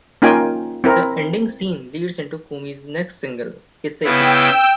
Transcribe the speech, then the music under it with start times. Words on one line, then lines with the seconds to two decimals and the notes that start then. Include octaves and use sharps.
The ending scene leads into Kumi's next single, Kiseki.
0.22 A#3 C#4 D#4 F4 G5 G#5
0.84 C4 E4 A#4
4.04 C#3 B3 E4 G5 E6